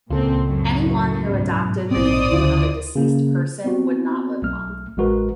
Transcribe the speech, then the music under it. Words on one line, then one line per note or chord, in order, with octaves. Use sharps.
Anyone who adopted the name of a deceased person would not live long.
C#2 A#2 C4 F4 A4
F#2 A2
G#2 B2
A#1 C4 C5 D5 D#6
D2 C#3 E4 F4
C#3 A#3
B3 C4 F#4
B1 A3 F6
A1 G#3 F#4 A#4 B4